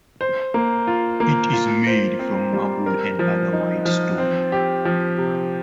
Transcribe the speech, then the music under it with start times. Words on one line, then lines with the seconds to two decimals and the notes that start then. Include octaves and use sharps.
It is made from marble and other white stone.
0.21 C5
0.54 A#3
0.87 F4
1.20 A#3
1.53 F4
1.87 C5
2.19 C4
2.53 G3
2.86 A#4
3.19 F3
3.53 D#4
3.85 F3
4.18 C4
4.52 G4
4.85 F3
5.18 C3